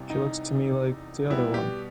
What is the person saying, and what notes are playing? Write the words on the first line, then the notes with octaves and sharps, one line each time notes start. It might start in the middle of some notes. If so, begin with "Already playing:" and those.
She looks to me like t'other one.
Already playing: E2 C3 E3 G3
D#4
B2 G3 B3 E4
G4